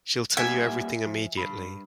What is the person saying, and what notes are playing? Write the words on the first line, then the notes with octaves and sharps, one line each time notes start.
She'll tell you everything immediately.
G3 A#3 E5 F#5 G#5
F3
G2 B5